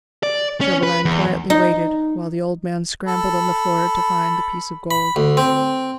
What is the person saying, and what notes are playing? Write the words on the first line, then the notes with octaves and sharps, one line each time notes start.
Chauvelin quietly waited while the old man scrambled on the floor, to find the piece of gold.
D5
C#4
B4
E2
D#4
A4 B5
B5
D2
C4